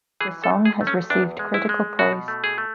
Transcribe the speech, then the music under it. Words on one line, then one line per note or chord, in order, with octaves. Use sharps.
The song has received critical praise.
E3 G#4
A4
A3
G#4
A3
C#4
E2 D4
G#3
E4
G#3
B2 F#4
A3
G#4
A3